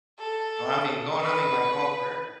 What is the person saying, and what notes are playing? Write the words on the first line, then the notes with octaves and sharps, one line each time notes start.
And I mean, gone I mean, like, gone forever.
A4
B4